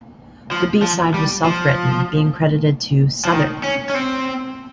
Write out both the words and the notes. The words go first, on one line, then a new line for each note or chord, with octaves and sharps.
The B-side was self-written, being credited to 'Sutherland'.
F3
F3
G3
F3
F3
D#3
C#4
C#4
C4